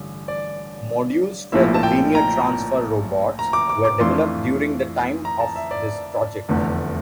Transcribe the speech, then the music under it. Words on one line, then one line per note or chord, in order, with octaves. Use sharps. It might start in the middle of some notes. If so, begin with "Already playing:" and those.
Modules for the linear transfer robots were developed during the time of this project.
Already playing: A1 G2 D3
D5
A#1 A2 F3 A#3 E4 E5
A5
G5
A#5
A#5
D6
D6
D6
F2 E3 A3 D4 F4 C6
A#5
A5
E5
D5
F1 E2 D3 A3 D4